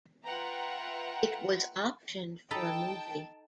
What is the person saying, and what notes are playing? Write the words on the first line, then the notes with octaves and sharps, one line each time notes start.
It was optioned for a movie.
F4 B4 E5 F#5 G5 A#5
D#4 A4 G5 A5 B5